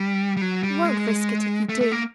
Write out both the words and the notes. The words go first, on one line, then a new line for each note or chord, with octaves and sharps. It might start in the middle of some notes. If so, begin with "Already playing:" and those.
'You won't risk it if you do.
Already playing: G3
G3
F#3
G3
G#3
A3
A3
A#3